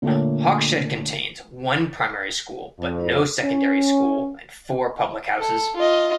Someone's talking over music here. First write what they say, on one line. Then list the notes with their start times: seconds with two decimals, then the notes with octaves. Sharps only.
Hawkshead contains one primary school but no secondary school and four public houses.
0.02 A#2 D3 A3 A#3 D4 C#5
2.78 F2
3.43 C#4
5.37 A4
5.76 F4 D#5